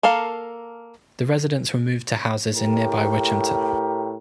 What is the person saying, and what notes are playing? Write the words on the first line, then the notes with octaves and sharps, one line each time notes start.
The residents were moved to houses in nearby Witchampton.
A#3 A4 A#4 F5
A2 G4 A#4